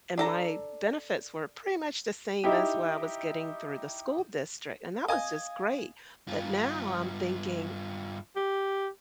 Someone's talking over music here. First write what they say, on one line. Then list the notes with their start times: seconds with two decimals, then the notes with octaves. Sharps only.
and my benefits were pretty much the same as what I was getting through the school district, and that was just great, but now, I'm thinking
0.18 D4 A4 A#5
2.44 D#4 E4 G4
5.08 D#5 F5 G#5 D#6
6.28 G2 F4
8.36 G4